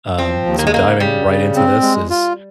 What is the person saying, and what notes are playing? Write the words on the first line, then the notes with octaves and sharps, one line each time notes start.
um, so diving right into this is,
F3 C4
D#2
A#3
G#3
C#3 A#3
C#3 G3
C#3
C4
G#3
F4